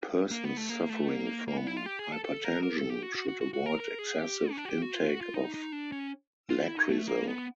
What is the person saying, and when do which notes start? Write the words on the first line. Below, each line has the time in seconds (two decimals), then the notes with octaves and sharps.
Persons suffering from hypertension should avoid excessive intake of Lakrisal.
0.31 A#3
0.44 B3
0.57 A3
0.69 A#3
0.90 A3
1.08 A#3
1.48 A#3
1.57 B3
1.67 E4
1.77 F4
1.86 G4
1.99 G#4
2.12 A4
2.24 A4
2.44 A#4
2.63 A#4
2.77 A4
2.90 G4
3.02 F#4
3.15 F#4
3.28 F#4
3.41 F#4
3.53 F#4
3.66 A#4
3.80 A#4
3.99 G#4
4.18 G4
4.51 C#4
4.57 D4
4.65 F#4
4.69 G4
4.82 F#4
4.95 F4
5.08 F#4
5.21 F4
5.34 D#4
5.54 D#4
5.72 D4
5.92 C#4
6.50 F4
6.63 E4
6.77 D#4
6.89 A3
7.08 A#3
7.27 B3